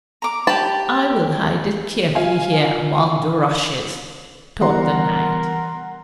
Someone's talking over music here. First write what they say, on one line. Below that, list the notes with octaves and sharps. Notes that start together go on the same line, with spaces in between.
"I will hide it carefully here among the rushes," thought the knight.
A#5 D6
G4 A5 B5
F4 F5 G#5
E3 G3 B3 A#4 F#5 A#5 C6